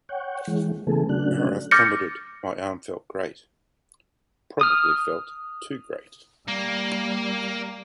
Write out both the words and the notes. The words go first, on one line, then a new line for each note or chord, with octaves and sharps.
Maroth commented My arm felt great...Probably felt too great.
C#5 F#5 G5
E3 G#3
C#3 E3 A3 B3 G#4 A4
C#3 F#3 A3 D4 F#6
D6 F6 G6 A6 A#6 C#7
D#6 F6
G3 A#3